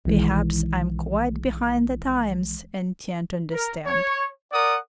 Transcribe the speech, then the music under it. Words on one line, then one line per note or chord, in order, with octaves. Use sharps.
Perhaps I am quite behind the times and can't understand.
B1 D#3 E3 G#3
A#4
C#5
A#4 D5 F#5 D#6